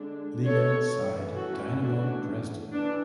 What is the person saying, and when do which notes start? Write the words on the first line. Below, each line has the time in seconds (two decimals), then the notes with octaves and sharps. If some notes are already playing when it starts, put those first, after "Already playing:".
Liga side Dynamo Dresden.
Already playing: D3 G#3 D4
0.45 A4 C#5
0.91 E3 A3 C#4
1.36 F#4 A4
1.81 D4 F#4
2.72 E3 D4